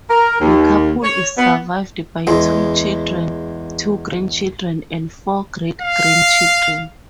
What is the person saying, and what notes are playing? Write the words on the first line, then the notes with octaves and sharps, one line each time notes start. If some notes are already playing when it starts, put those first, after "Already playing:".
The couple is survived by two children, two grandchildren, and four great grandchildren.
A#4
D#2
C#5
B3
E2 G#3
F5